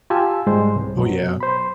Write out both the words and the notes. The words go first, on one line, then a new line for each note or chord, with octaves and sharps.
Oh, yeah.
F4 G4 G#5 A5 E6
G#2 G3 G#3 C5
C2
F#2 B2 F#3
C5 B5